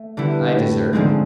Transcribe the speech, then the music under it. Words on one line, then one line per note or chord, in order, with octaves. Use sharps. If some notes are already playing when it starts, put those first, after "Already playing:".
"I deserve it."
Already playing: A3
D3 G3 B3 E4
A2
G#2 D3 F3 G#3 C4